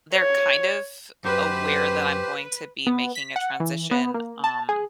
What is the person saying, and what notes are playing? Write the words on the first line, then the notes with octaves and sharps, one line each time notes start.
they're kind of aware that I'm going to be making a transition, um,
C#5
F#2 G4 B4 C5
B3
B6
F#5
E3
B3
A#3
A5
G#4